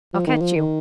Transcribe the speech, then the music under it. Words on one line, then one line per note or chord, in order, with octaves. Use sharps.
I'll catch you.
F3
D#3
F3
D#3